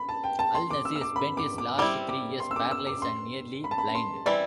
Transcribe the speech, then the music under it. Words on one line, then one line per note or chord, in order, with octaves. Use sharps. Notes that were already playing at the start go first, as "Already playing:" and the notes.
Al-Nasir spent his last three years paralysed and nearly blind.
Already playing: B5
A5
G5
A5
C6
D6
E6
E6
D6
B5
D6
D6
G3 C4 E4 D6
D6
C6
E6
D6
E6
D6
C6
B5
A5
B5
C6
E3 G3 C4 E4 D5